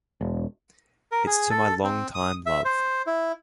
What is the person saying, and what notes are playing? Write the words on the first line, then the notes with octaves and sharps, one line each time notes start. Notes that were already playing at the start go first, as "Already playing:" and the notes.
It's to my long-time love.
E1
A#4
G#4
A4
C4
D#6
E5
C5
E4